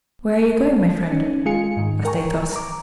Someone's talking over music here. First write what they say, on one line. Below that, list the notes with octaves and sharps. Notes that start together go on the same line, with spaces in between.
"Where are you going, my friend?" asked Athos.
C#4 D#4
G#3 F4 G#4 G#5 C#7
G#2 D#3
A#4 G5 G#5 A#5 C#6
A#5
A#5 D6